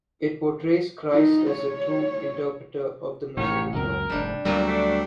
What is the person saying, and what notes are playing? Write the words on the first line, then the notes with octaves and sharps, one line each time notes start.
It portrays Christ as the true interpreter of the Mosaic Law.
D#4
C#5
A1 D#3 C#5
C#2 F#2 C4 A#4
F1 G#2 G3 D4
D2 A#2 F#3 G3 C4
A3 D4